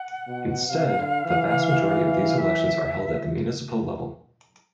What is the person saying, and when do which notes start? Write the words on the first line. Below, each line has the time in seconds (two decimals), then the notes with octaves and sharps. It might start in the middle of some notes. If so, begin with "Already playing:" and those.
Instead, the vast majority of these elections are held at the municipal level.
Already playing: F#5
0.28 B2
0.69 C3 F5
0.98 D3
1.25 E3
2.38 E5